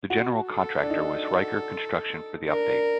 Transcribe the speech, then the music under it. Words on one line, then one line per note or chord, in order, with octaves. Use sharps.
The General Contractor was Reicker Construction for the update.
F#4
A4
D4
D#4
D4 A#4
D4